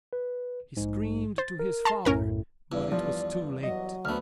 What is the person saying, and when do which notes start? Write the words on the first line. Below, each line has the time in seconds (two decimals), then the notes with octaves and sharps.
He screamed to his father, but it was too late.
0.13 B4
0.77 A#1 G#2
1.38 C5 A6
1.59 A#4
1.85 A5 A#5 C6
2.05 B1 F#2 A2 C#4 A#4 A#5
2.72 E2 G2
2.92 F3 D5
3.63 F#3 D#5
4.05 D2 A3 B3 F6